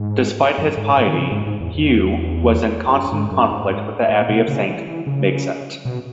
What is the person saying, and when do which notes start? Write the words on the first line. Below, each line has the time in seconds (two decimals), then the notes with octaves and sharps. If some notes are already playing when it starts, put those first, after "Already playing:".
Despite his piety, Hugh was in constant conflict with the abbey of Saint Maixent.
Already playing: G#2
0.58 F#2
0.77 G#2
0.97 G#2
1.08 D#3
1.17 C#3
1.31 G#2
1.46 G#2
1.60 E2
1.75 E2
2.87 E2
2.93 F#2
3.12 G#2
3.32 F#2
3.51 G#2
4.09 A2
4.29 B2
4.48 C#3
4.68 E3
4.87 E3
5.07 C#3
5.85 B2